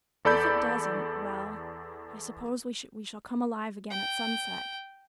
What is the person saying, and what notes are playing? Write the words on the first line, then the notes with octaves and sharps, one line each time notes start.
If it doesn't - well, I suppose we shall come alive again at sunset.
E2 A4 D5 B5 G6
G5